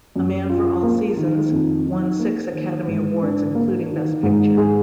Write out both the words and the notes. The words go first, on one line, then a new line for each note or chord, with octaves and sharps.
"A Man for All Seasons" won six Academy Awards, including Best Picture.
F#2
F4
A#3
D#3
F2
D#4
A#3
D#3
G#2
D4
A#3
D#3
G#2
G#4